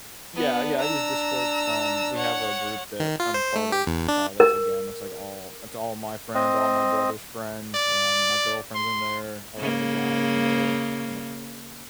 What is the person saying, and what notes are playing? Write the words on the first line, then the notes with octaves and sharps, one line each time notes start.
Yeah, yeah, I use Discord. Um, we have a group that I'm a part of, uh, that's, again, it's, like, all it's all my friends, all my brother's friends, um, my girlfriend's in there, a lot of the guys in there, you know,
B3 D4
A#5 E6
C#5 F#5
D#3
F4
C5
A3
G4
E2
D4
A#4
C4 D#5
D5
C6
C#3 A#3